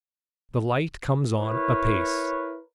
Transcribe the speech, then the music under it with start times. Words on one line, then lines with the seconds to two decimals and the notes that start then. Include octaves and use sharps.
The light comes on apace.
1.37 E4 A#4 B4 C#5